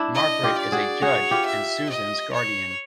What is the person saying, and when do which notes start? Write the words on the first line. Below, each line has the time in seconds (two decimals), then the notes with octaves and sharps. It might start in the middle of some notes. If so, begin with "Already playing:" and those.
Margaret is a judge, and Susan's guardian.
Already playing: D4 E4
0.14 D#5
0.43 F4 G4
0.59 D5
0.72 F#4 G#4
1.01 F#4 G#4 C#5
1.31 F4 G4
1.46 E5
1.90 D#5
2.33 C#5